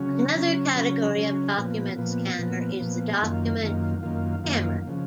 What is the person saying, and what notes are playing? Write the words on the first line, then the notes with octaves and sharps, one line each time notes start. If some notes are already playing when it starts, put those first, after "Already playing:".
Another category of document scanner is the document camera.
Already playing: C#3 F#3 C#4
C#3 F#3 C#4
C#3 F#3 C#4
C#3 F#3 C#4
A#2 F3 B3
A#2 F3 B3
A#2 F3 B3
A#2 F3 B3
F#2 D#3 A#3 F4
F#2 D#3 A#3 F4
F#2 D#3 A#3 F4
F#2 D#3 A#3 F4
C#3 F3